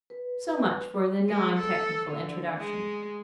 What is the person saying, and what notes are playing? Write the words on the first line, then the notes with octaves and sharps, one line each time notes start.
So much for the non-technical introduction.
B4
G#3
A4
D3
G#3